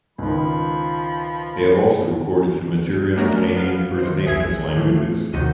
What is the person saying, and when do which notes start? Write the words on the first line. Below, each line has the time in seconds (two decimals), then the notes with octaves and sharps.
They have also recorded some material in Canadian First Nations languages.
0.18 C#2 D#3 F3 B5
3.17 A3 B3 C#4 D4 F#4 A#4
3.56 B3 F5
3.98 D#3 C5
4.25 A#1 E2 G#4 E5 G#6
4.75 A2 E3 F3 A3
5.33 D#2 C3 D#3 F#4 G6 D#7